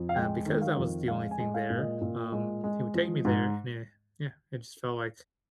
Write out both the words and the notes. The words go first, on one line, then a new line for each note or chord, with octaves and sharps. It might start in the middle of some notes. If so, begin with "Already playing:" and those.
uh, because that was the only thing there, um, he would take me there, and it yeah, it just felt like it
Already playing: F2
F5
G#3 G5
D#3
F5
F2
G#3 F5
G#5
G#3
F5
A#2
D#5
A#2
G#3
G#3
F3
G#2